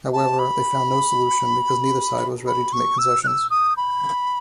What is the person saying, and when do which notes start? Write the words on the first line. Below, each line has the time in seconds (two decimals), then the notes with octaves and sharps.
However, they found no solution, because neither side was ready to make concessions.
0.13 A5
0.39 B5
2.47 B5
2.73 C#6
2.98 E6
3.24 F#6
3.27 E6
3.50 D#6
3.77 B5